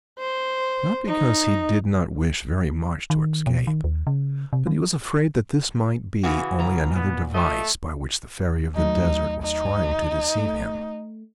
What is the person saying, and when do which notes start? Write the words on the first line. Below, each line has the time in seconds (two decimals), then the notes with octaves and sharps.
Not because he did not wish very much to escape, but he was afraid that this might be only another device by which the Fairy of the Desert was trying to deceive him.
0.19 C5
1.07 D#4
3.10 D#3
3.47 B2
3.67 D#3
3.84 D#2
4.07 C#3
4.53 C3
4.67 D#3
6.23 C#3 E3 F#4
6.60 C#2 A#5
6.95 A#2 B3
7.34 A3 F4 D#5
8.76 D#2 F#3 A3 D#4
9.43 D#4
10.38 A3